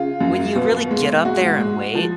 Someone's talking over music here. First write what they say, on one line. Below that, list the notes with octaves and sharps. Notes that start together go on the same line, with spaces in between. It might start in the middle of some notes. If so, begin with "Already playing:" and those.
when you really get up there in weight,
Already playing: C#3 F4
F#2
B2
G#3
G#2 F#4
G#3
F3